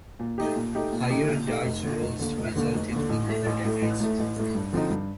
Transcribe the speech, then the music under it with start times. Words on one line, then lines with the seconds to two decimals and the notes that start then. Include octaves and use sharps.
Higher dice rolls resulted in more damage.
0.19 A#2
0.38 A3 D#4 G4
0.56 A#2
0.75 A3 D#4 G4
0.93 A#2
1.10 A3 D#4 G4
1.28 A#2
1.47 A3 D#4 G4
1.65 F1
1.83 D#2 D3
2.01 F1
2.19 D#2 D3
2.38 F1
2.56 D#2 D3
2.73 F1
2.91 D#2 D3
3.09 A1
3.27 A2 A3
3.46 A1
3.65 A2 A3
3.82 A1
4.00 A2 A3
4.19 A1
4.36 A2 A3
4.55 G2
4.73 D3 F3 C4 D#4
4.90 G2